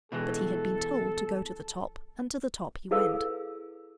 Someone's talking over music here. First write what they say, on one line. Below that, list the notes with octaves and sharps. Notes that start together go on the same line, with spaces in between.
But he had been told to go to the top, and to the top he went.
B2 E3 G#3 A4
E4 G#4 A4 B4 F5 E6